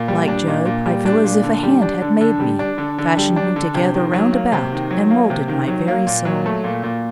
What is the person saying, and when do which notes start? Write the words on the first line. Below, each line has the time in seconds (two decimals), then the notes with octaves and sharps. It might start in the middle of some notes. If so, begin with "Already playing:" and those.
Like Job, I feel as if a hand had made me, fashioned me together round about and moulded my very soul.
Already playing: A#2
0.08 G3
0.28 D4
0.47 A#2
0.66 A#2
0.86 G3
1.05 D4
1.24 A#2
1.43 D3
1.63 G3
1.82 D4
2.02 D3
2.21 D3
2.40 G3
2.59 D4
2.78 D3
2.98 D3
3.17 G3
3.36 D4
3.56 D3
3.74 C3
3.94 D#3
4.13 F#3
4.33 A#3
4.52 C3
4.72 D#3
4.91 F#3
5.11 A#3
5.30 C3
5.48 D#3
5.68 F#3
5.88 A#3
6.07 A#2
6.25 F#3
6.46 A3
6.64 A#2
6.83 A#2